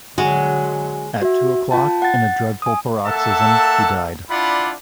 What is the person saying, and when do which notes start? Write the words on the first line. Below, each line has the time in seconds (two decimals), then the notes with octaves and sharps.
At two o’clock, in a dreadful paroxysm, he died.
0.18 D3 F#3 G#3 F#4
1.22 F#4 E5
1.71 F4 G5 A5
2.02 F#5 A6
2.62 G#5 D#6
3.05 A#3 A4 E5 F#5 A5
4.30 D4 E4 F4 D5 F#5 B5